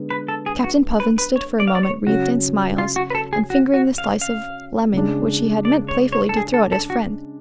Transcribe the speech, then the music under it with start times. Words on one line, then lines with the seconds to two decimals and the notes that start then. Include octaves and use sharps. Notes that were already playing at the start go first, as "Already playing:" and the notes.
Captain Puffin stood for a moment wreathed in smiles, and fingering the slice of lemon, which he had meant playfully to throw at his friend.
Already playing: D3 G#3 B3
0.11 B4
0.28 A4
0.46 G#4
0.64 F#4
1.00 B4
1.18 B4
1.36 C#5
1.60 D5
1.67 F5
1.75 D5
1.83 C#5
2.07 C#3 F#3 C#4 F#4
2.78 F4
2.96 F#4
3.10 B4
3.15 A4
3.33 G#4
3.50 F#4
3.74 F#4
3.98 F5
4.21 F5
4.93 C#3 G#3 D4
5.65 D5
5.89 C#5
6.13 C#5
6.29 A4
6.37 G#4
6.54 A4
6.72 A4
6.90 F#4